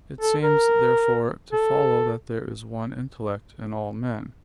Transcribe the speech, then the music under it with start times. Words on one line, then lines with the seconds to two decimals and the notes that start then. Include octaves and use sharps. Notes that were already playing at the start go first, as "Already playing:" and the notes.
It seems, therefore, to follow that there is one intellect in all men.
0.21 A4
0.43 A#4
1.52 A4